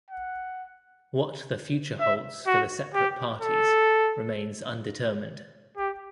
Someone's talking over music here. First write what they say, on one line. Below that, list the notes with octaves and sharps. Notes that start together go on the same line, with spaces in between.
What the future holds for the separate parties remains undetermined.
F#5
E5
F#4
G4
A4
G4